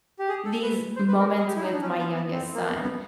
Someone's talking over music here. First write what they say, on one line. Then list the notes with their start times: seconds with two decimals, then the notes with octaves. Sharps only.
these moments with my youngest son,
0.19 G4
0.29 G#4
0.45 A4
0.62 B4
0.96 C5
1.08 B4
1.19 A#4
1.39 G#4
1.47 G4
1.56 E4
1.64 D#4
1.73 D4
1.81 C#4
1.90 C4
1.98 B3
2.15 B3
2.32 C4
2.54 A#3
2.65 B3
2.82 B3